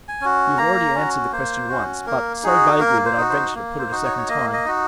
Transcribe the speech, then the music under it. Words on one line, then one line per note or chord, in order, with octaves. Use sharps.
"You have already answered the question once, but so vaguely that I venture to put it a second time."
G#5
C#4 F#4
A#3 A#5
C#4 F#4
A#3 C5
C#4 F#4
A#3 A#4
D#4 F#4 G#4
A#3 A#4
C5
D#4 F#4
C5
A#3
C5
D#4 F#4
C#5
C#5
A#3 D#5
D#5
D#4 F#4